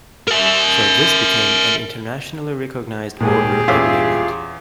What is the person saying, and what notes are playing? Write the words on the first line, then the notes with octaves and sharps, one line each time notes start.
So this became an internationally recognised border agreement.
A#4 E5
G#1 D#2 A#2 G4 G#4
E2 C#4 F4 E5 F5